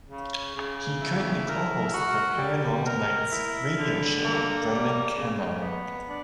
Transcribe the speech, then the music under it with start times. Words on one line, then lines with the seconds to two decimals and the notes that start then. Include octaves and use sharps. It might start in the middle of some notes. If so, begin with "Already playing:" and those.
He currently co-hosts the "Paranormal Nights" radio show with Brendan Keenan.
0.09 C#3
0.54 C#3
1.00 E4
1.46 A#4
1.92 F#4
2.38 G3
2.84 A#4
3.30 E4
3.76 D3
4.22 A#3
4.68 G3
5.15 C#3
5.60 B3
6.06 D4